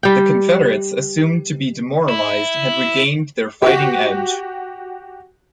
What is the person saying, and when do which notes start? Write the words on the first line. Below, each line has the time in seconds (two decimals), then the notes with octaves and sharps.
The Confederates, assumed to be demoralized, had regained their fighting edge.
0.03 G3 G5
2.09 E4
3.62 F#4 G4